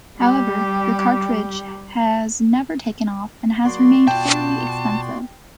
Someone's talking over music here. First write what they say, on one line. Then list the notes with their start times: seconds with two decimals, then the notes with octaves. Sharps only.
However, the cartridge has never taken off, and has remained fairly expensive.
0.18 G3 G4
3.65 F#3 A#3 F#4 D5 C6
4.08 B2 F4 G5 A5